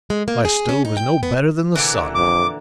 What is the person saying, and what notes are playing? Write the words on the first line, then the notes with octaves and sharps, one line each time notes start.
My stove is no better than the sun.
G#3
A#3
G#4
C#4
D#4
G5
B3
A#2 D3 E3
F2 D6